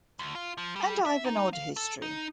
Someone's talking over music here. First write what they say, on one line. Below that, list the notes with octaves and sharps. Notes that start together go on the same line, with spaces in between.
And I’ve an odd history.
D2
F4
F3
G3
E5
D#4
F5
A4
D#4